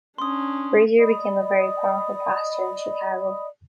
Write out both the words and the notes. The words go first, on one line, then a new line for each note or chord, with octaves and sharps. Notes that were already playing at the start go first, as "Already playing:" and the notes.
Brazier became a very powerful pastor in Chicago.
C#4 D4 C6 D#6
D5 D#5 B5 D#6